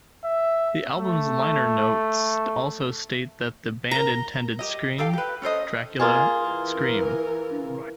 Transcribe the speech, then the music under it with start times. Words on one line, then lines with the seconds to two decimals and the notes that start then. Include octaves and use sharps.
The album's liner notes also state that the band intended Scream, Dracula, Scream!
0.25 E5
0.96 A3
3.91 A#4 A#5 A#6
4.59 G4 D#5
4.98 G4 A4 F5 G5
5.13 G4 B4
5.42 C#4 A4 C5 D#5
5.99 A#3 F4 G#4
6.44 E3 A#4